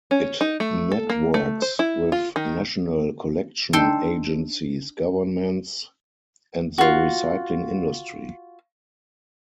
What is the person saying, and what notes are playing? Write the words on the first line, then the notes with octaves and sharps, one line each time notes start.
It networks with national collection agencies, governments, and the recycling industry.
C#4
D#4
A3
A4
A#3
A3
C5
E4
F4
D#3
D4 D#4 A4 G5 C6
F4 F#4